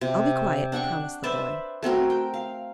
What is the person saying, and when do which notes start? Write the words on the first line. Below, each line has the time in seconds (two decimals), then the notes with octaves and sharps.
"I'll be quiet," promised the boy.
0.01 C3
0.72 D4 F#5 G5 C#6
1.23 B4 C5 D5 E5
1.83 A3 C4 F#4 A#4
2.10 G5
2.34 F5